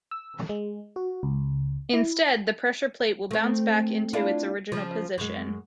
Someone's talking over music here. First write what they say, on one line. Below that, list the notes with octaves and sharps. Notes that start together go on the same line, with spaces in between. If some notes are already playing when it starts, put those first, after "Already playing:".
Instead the pressure plate will bounce back into its original position.
E6
G#3
F#4
C#2
E4
A3 C4
D4 E4 F4
C#3 F3
F#2 G#3